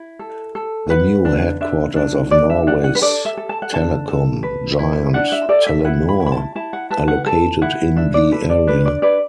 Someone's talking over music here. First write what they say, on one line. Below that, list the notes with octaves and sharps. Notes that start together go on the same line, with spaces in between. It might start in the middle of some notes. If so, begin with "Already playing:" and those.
The new headquarters of Norway's telecom giant Telenor are located in the area.
Already playing: E4
A4
A4
B4 F#5
D4
D4 E5
D4
D4 D5
E5
D4 F#5
F#5
B4
A4 D5
E5
A4
A5
F#5
D4 A5
A4
B4
E4
D4 F#5
E5
A4 D5
E5
E4 F#5
B5
E4
B5
A5
E4 A5
F#5
B4 A5
F#5
A4 A5
E4 F#5
D4 E5
D5
A4 B4
D5
D4 B4
D5
B4 D5